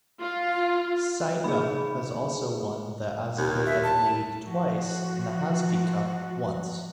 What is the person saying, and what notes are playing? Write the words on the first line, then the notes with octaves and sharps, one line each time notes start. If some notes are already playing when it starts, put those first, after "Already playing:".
Saipa has also won the Azadegan League twice and the Hazfi Cup once.
F4
A#3 D#4 G#4 B5
D#2
E5
A5
F3 F#4